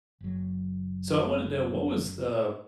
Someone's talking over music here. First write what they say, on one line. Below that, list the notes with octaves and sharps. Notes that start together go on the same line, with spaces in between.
So I want to know what was the
F#1 F#3